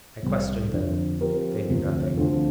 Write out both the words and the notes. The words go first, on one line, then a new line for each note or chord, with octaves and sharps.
I questioned them. They knew nothing.
C2 C3 G3 C4
F2 D3 F3 C4
F3 C4 G4 A#4
D2 C3 F3
D2 D3 F3 C4